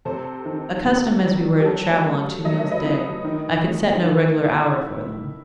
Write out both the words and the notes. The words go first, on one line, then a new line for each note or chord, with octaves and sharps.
Accustomed as we were to travel on two meals a day, I could set no regular hour for them.
C3 A4 C5
D#3
C3
G3
G4
F#3 A4
A3
F#3 D#5
E5
B4 D#5
D#4
D#3
A3
D#3
E4